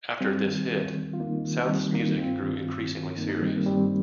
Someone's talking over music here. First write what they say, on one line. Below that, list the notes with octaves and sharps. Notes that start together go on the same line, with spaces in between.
After this hit, South's music grew increasingly serious.
D#2 G3 C4
D#3
D#2
D#3
F4
D#2 A#3 D#4
D#3
D#2 G3 C4
D#3 A#3 D#4
G2 C4 F4
D#3
G2
D#3
G2 A#3 D#4
A#3 D#4
D#3 G3 C4
A#3
G2 G3 C4